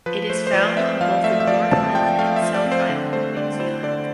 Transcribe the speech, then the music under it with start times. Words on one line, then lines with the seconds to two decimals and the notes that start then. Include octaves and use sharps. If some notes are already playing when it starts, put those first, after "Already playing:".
It is found on both the North Island and South Island of New Zealand.
0.06 F3 B4
0.30 A3 C5
0.47 C5
0.53 F3 D5
0.77 C4 E5
1.01 F3 F5
1.24 A3 E5
1.40 E5
1.47 F3 D5
1.71 C4 A5
1.95 F3 G5
2.19 A3 F5
2.36 E5
2.42 F3
2.54 D5
2.66 C4
2.72 C5
2.89 D3
3.13 A3 C5
3.37 D3 D5
3.60 E4 C5
3.83 D3 D5